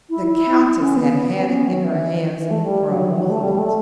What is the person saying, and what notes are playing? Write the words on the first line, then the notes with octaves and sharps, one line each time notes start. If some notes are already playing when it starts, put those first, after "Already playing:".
The Countess had had it in her hands for a moment.
E4
E4
C#4
B3
B3
B3
C#4
F#3
E3
E3
A3
G3
F#3
E3
F#3
A3
G3
G3
A3